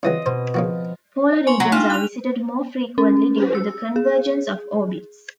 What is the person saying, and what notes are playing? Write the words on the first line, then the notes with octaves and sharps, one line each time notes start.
Polar regions are visited more frequently due to the convergence of orbits.
C#3 E3 F#3 C4 D#5
B2 C5
C#3 F3 A#3 F#4
G#5 C6 C#6
F#3
D4 D#4 F4
F#6 F7
C#4
E6
G#4